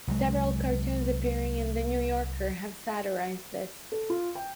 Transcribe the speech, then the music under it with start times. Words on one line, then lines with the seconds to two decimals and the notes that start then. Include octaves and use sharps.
Several cartoons appearing in "The New Yorker" have satirized this.
0.07 C2 F#3 G#3
3.92 A4
4.10 F4
4.35 G5